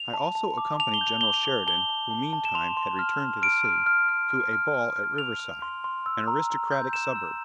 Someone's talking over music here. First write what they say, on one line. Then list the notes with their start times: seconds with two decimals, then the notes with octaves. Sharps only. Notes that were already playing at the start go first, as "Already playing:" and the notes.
I also accompanied General Sheridan--who meantime had returned to the city--to a ball at Riverside--an aristocratic suburb.
Already playing: F7
0.14 A5
0.35 A5
0.58 D6
0.80 A5 F7
0.94 G7
1.01 G6
1.07 F7
1.21 D6 G7
1.34 F7
1.46 D6
1.67 A5 G7
1.89 A5
2.11 A5
2.33 A5
2.45 E7
2.55 C6 F7
2.77 C6
2.99 F6
3.21 F6
3.42 F6 D7
3.65 F6
3.86 F6
4.09 F6
4.30 F6
4.53 F6
4.74 F6
4.96 F6
5.18 F6 F7
5.40 F6
5.62 C6
5.84 C6
6.06 E6
6.28 A#5
6.50 A#5
6.72 G6
6.93 G6 E7
7.15 E6